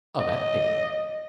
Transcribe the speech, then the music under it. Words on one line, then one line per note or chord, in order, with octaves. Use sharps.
Oh, that's neat.
D#5